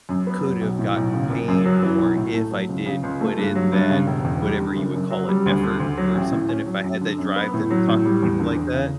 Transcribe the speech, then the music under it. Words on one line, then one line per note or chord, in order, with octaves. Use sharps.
could have gotten paid more if I did put in that, whatever you would call it, effort, or something, if I had that drive to talk to people like that?
F#2
B3
F#3
B1
A2
B1
C#3
F#1
F#2
F#3
E3
B1
A2
A3
F#3
C#2
C#3
C#2
A3
G2
F#3
G2
C#3
E1
E2
G3
D3
F#1
F#2
F#3
G3
D2
D3
D2
F#3
A1
A2
C#4
F#3
F#2
D3
F#2
B3
A2
F#3
A2
G3
E2
D3
E2
C#3